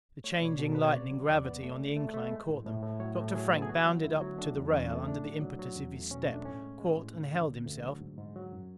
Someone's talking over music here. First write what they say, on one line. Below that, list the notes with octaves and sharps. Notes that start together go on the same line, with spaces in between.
The changing, lightening gravity on the incline caught them. Dr. Frank bounded up to the rail under the impetus of his step; caught and held himself.
A3 C#5
D5
B2 C#5
B2
A4
B2 B4
C#5
C#3 D5
F#3
E2 D5
B3
A3
D2
A3
A3
G#3
A2
A2
A2
F#3 C#5
A2
F#3 G#4
B3 A4
G#4
D2 F#4
F#3
D2 E4
F#3
A3 D4
E2
E2 C#4
A3
A2 D4
F#3
F#3
F#3
E2 C#4
A3
B2 C#4
A3
D4
A2 C#4
G#3
G#3
A2
D2
D3
D2
D2
F#3
G#2
G#2
F#3
F#2